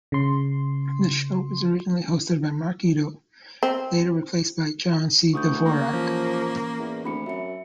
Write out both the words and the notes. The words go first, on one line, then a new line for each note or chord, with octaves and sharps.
The show was originally hosted by Mark Eddo, later replaced by John C. Dvorak.
C#3 C6
C4
D2 C#6 D#6 G6
A#3
E3 F3 C#4
E2
D2 C4 B5 C#7
F#2 E5 C#7